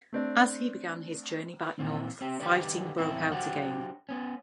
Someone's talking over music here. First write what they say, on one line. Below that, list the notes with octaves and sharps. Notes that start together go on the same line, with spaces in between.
As he began his journey back north, fighting broke out again.
A3 C4 D4
A#2 E3 C4
C4 G4
D#3 D4 G4 B4 D5
E2 A2 C4 E4
F#3 D4 F#4 G4 C5 F#5
B3 C#4